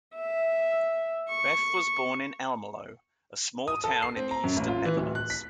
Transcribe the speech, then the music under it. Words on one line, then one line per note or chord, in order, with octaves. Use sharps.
Beth was born in Almelo, a small town in the eastern Netherlands.
E5
C#6
D#6
A4
C7
C4
A#5
F#2
A1
F4
E3
D1
F#6
B6